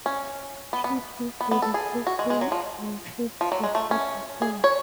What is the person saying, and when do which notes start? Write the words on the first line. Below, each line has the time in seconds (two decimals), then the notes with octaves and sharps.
She too had a captain and troop for her defense.
0.06 C#4
0.73 B3
0.84 B3
1.40 B3
1.51 B3
1.62 A4
1.74 G#4
2.07 F#4
2.19 G#3
2.30 G#3
2.41 F#3
2.52 F3
3.41 F3
3.52 F#3
3.63 G#3
3.75 A3
3.91 C#4
4.42 G#4
4.64 C#5